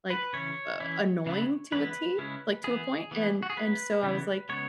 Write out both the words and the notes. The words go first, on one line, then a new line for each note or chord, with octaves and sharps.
like, uh, annoying to a tee, like, to a point, and and so I was like,
B4
C#3 E3 C#4 E4 C#5
E3 C#4 E4
C#3 G#3 B3 E4
E3 G#3 B3 E4 B4
C#3 G#3 C#4 E4
E3 B3 E4 G#4
E3 B3 E4
F#4
G#4
F#3 B3 E4 B4
C#3 E3 B3 E4
C#3 G#3 B3 C#5